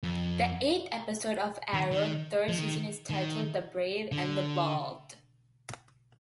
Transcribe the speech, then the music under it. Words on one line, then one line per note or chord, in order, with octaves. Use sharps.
The eighth episode of "Arrow"'s third season is titled "The Brave and the Bold".
F2
D#3
D#3
F3
D#3
D#3
D3